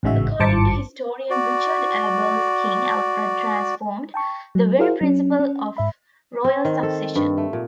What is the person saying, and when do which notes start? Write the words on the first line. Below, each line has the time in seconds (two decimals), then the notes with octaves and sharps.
According to historian Richard Abels King Alfred transformed the very principle of royal succession.
0.03 A1 G#2 C#3 G#3 F#4 E5
0.40 G#1 G2 C5 A5 D6 C#7
1.30 F#4 D5
4.14 G5 A5 C#6
4.55 F#3
4.79 E4 F#4 G#4 A#4 C5 F5
5.01 F#3 C#4
5.39 C#4
5.77 G#2 E5 B5
6.44 C4
6.65 D#3
6.83 A4
7.16 G2
7.37 A3
7.53 A#2